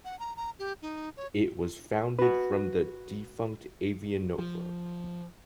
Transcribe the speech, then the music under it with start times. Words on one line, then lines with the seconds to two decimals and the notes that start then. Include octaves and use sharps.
It was founded from the defunct Avianova.
0.05 F#5
0.19 A#5
0.37 A#5
0.59 G4
0.82 D#4
1.17 C#5
2.19 F#4 B4
4.39 F3